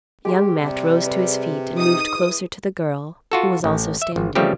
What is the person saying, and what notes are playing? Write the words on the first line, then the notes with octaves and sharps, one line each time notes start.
Young Matt rose to his feet and moved closer to the girl, who was also standing.
G#3 G4 C6
C3 G3
B4
D#4 D#6
E3
F4 F#4 A4
A1
E5
G#1
C#3 F3 G3 A3 C4 G4